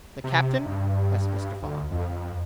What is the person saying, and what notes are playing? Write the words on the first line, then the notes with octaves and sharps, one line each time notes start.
"The captain?" asked Mr. Fogg.
C3
G2
D2
F2